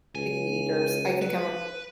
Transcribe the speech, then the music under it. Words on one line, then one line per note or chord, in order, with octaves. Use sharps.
picky eaters, I think I'm a p
C#2 G#5
B4